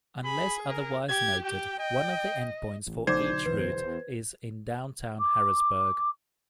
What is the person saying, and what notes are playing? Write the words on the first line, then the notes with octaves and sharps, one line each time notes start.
Unless otherwise noted, one of the endpoints for each route is in downtown Harrisburg.
G#4 B5
A#4
G4 G#6
G4 G5
D#5 G5
A1
B1 D3 F#3 D#4 C5 D5 D6 G#6
E2 B4
D6